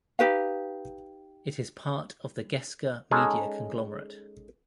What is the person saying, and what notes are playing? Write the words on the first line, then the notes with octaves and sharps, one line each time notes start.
It is part of the Gesca media conglomerate.
D#4 G4 B4 F5
G#3 C#4 D#4 G#4 A4